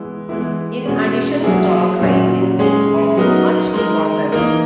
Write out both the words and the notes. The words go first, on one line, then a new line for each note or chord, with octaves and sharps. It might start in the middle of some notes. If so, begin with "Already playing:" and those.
In addition stock raising is of much importance.
Already playing: E3 G#3 B3 E4
E3 G#3 B3 E4
B2 G#3 C#4
F#3 A#3 E4 G#4
A#2 F#3 C#4
G#3 C#4 G#4
F#3 B3 D#4 A#4
G#3 D#4 A#4
E3 A#3 D#4 A#4